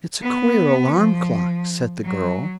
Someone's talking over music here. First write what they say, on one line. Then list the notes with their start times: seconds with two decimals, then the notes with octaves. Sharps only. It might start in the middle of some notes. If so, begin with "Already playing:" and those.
"It's a queer alarm clock," said the girl.
0.22 B3
0.95 F3
2.04 F#3